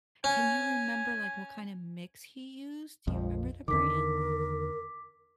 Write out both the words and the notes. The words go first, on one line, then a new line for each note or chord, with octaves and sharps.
can you remember, like, what kinda mix he used? Do you remember the brand?
C#4 G#5
A#1 F2 F3
E2 D3 D#3 A#4 D6 B6